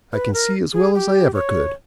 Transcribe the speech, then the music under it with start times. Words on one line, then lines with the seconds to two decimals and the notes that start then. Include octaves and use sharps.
I can see as well as I ever could.'
0.13 B4
0.34 A#4
0.73 G#4
0.94 G4
1.34 C#5